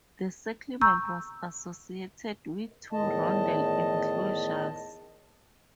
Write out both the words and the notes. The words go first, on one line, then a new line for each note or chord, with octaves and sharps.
The settlement was associated with two rondel enclosures.
A#5 C#6 E6 G6
E2 A2 D#3 D#5 A5